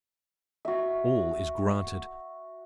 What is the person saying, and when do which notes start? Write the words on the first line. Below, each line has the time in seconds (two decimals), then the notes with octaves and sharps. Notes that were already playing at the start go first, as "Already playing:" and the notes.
All is granted.
0.65 F#4 E5